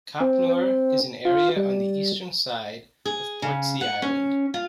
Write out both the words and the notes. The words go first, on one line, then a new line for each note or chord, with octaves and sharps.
Copnor is an area on the eastern side of Portsea Island.
C4
F4
G3
G#4
C#3
F#5
C#4
F4